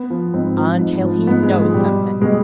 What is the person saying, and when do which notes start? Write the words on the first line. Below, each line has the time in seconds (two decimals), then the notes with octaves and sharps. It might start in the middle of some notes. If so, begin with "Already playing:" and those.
"Until he KNOWS something!"
Already playing: B3
0.10 F3
0.33 G#2 C4
0.57 F3
0.81 G#2
1.05 F3
1.27 G#2 B3
1.43 G#3
1.51 F3
1.58 G#3
1.74 B2 G3
2.21 B2 G#3